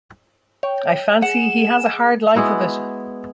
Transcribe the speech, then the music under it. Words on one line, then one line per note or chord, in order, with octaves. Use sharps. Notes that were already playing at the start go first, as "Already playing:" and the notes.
I fancy he has a hard life of it.
C#5 G5
G#4 F#5 E7
G#3 B3 E4 F#4